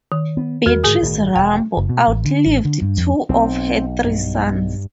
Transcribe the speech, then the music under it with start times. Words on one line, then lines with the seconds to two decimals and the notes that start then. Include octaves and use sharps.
Beatrice Rambo outlived two of her three sons.
0.12 D#3
0.37 B3
0.66 E2 G3 F#4 A#4
0.84 G#2 D3 G#4 G#5 D#6
1.03 A1 G2 D#3
1.36 E1 G5
1.77 F#1
1.89 B2
2.08 A1
2.25 D3
2.46 A1
2.65 D3
2.82 G2
2.97 F2
3.29 B1 C4
4.04 G2